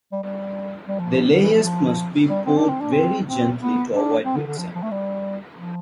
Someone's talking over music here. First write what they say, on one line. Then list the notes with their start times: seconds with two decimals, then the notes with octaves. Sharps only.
The layers must be poured very gently to avoid mixing.
0.12 G3
0.23 G3
0.88 G3
0.99 F3
1.32 D3
1.42 E3
1.53 F3
1.64 F3
2.29 G3
2.46 C4
2.57 D4
2.69 C4
2.80 D4
2.93 C4
3.27 C4
3.60 B3
3.93 D4
4.25 C4
4.36 D3
4.47 D3
4.58 F3
4.75 F3
4.83 A3
4.91 G3
5.56 F3